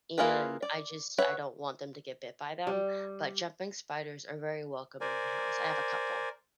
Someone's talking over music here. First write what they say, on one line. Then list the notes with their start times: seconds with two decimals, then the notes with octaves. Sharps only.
and I just I don't want them to get bit by them. But jumping spiders are very welcome in my house, I have a couple.
0.18 A#3 E4 F4 G#4 B4
0.62 D5
1.18 B4 C#5 E5 F#5
2.67 G3
5.01 A#4 C5 D5 G#5